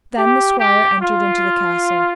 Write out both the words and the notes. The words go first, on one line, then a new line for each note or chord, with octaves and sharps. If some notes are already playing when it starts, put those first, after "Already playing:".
Then the squire entered into the castle.
G4
G4
F4